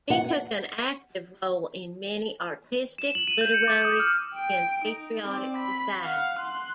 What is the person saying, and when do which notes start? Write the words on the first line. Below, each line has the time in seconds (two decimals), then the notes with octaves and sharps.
He took an active role in many artistic, literary and patriotic societies.
0.10 F#5
2.98 E7
3.15 F#7
3.27 D#7
3.41 G6
3.54 C#7
3.68 D6
3.85 D#6
3.99 F6
4.35 G5 D7
4.84 D#4
5.26 C4 D5
5.56 B5
6.03 F5 F#5
6.39 C6 F#6